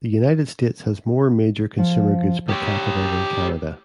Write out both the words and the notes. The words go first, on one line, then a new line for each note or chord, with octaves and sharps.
The United States has more major consumer goods per capita than Canada.
F3
G4 C#5